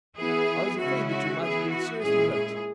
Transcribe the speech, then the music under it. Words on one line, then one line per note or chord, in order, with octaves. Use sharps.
I was afraid that you might have been seriously hurt.
E3 B3 E4 G#4
C#3 G#3 C#4 E4 F#4
F#4
E3 B3 E4 G#4
F#4
A#2 G#3 C#4 E4 G#4
G#4